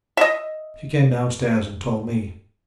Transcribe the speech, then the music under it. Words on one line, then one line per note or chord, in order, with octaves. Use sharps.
She came downstairs and told me.
D#5 E5